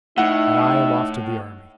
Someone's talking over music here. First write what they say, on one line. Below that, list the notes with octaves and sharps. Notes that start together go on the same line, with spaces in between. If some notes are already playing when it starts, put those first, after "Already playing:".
And I am off to the army.
A2 D#4 E5 F#5